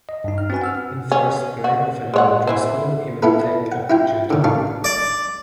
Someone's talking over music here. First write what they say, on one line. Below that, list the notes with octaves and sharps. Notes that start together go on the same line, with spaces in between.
In first grade of elementary school he would take up judo.
D#5
G2 D#4
F6
C4 C#4 F#4 B4 G#5
F#5 E6 F6
C#4
F#4
G#3 C#5 F#5
E3 E4 C5
B3 E4 F4 A4 B4
F#5
E4 F4 G5
D3 D#3
A1 D4 F5 A5 C#6
D5